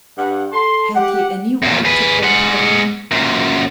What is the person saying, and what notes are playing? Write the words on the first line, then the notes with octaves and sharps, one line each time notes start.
Had he any right to complain?
G2 F#5
A4 C6
G4 F#5
E2 A#2
G#4 B4
G#3 F#5
F#2 A#2